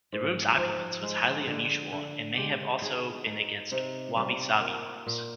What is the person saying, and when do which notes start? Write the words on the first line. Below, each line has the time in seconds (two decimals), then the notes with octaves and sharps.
The room's opulence was highly unusual and may have also been against "wabi-sabi" norms.
0.13 G#2
0.57 F3 F4
1.02 G#3
1.47 D3
1.92 D3
2.37 G#3 G4
2.82 D#4 G#4
3.27 D#4
3.72 C3 D#4
4.16 G3 F4
4.61 A#3 F4
5.06 A#2